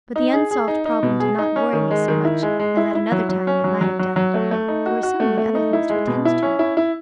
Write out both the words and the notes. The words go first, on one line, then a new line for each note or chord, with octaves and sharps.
But the unsolved problem did not worry me so much as at another time it might have done, there were so many other things to attend to.
D#4
G#4
G#4
D#4
D#4
B2
G#4
D#4
C#4
D#3
G#3
D#3
E4
G#3
G#3
E4
E4
F#3
F#3
C#4
F#3
F#3
F#3
F#3
A3
A3
D#4
F#4
F#4
A3
A3
D#4
E4
G#3
B2
E4
C#4
E4
E4